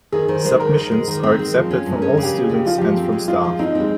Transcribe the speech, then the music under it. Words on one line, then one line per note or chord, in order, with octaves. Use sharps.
Submissions are accepted from all students and from staff.
D#3 G#4
D#3 C5
G#3 C5
D#3 A#4
G#3
G#3
D#3
C4
G#3
F3
C#4
G2
A#4
C#4 G#4
C#3
G4
G#3
G#4
C#3
G4
F3 F4
F3 G4
C4
G#3
G#3 F4
F3
C4 D#4
G#3 C4